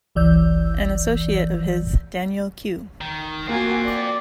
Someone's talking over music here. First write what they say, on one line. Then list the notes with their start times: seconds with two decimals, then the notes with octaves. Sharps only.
An associate of his, Daniel Q.
0.15 G1 C#2 E3 D5 E6 G6
3.01 D#3
3.48 A#3 C4 F4 F#4 G#5
3.85 D5